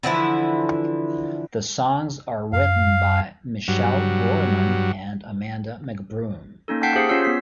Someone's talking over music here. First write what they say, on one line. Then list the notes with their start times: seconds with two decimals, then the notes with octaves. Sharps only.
The songs are written by Michelle Brourman and Amanda McBroom.
0.03 D3 E3 F3 E4
2.53 F#2 F5
3.68 G2 F#3
6.68 A#3 C#4 D#4 A4
6.83 F#5 G5 A5 G6 B6 C7
6.95 G4 G#4 C5 F5
7.09 C#4 F4 C#5 E6 C7
7.24 B3 B6